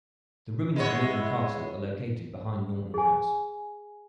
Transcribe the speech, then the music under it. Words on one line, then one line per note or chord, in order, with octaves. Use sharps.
The ruins of Naughton Castle are located behind Naughton House.
G#3 B3 E4 C#5
G#4 G#5